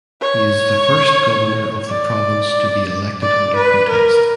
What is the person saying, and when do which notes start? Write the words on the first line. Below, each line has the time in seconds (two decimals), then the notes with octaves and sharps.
He is the first Governor of the province to be elected under protest.
0.21 C#5
1.88 D5
3.22 D5
3.56 B4
3.89 A#4